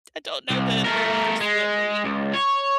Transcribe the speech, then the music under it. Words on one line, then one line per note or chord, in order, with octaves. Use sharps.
I don't know the the language fluently.
C2
A3 A#4
G#3
C#2
C#5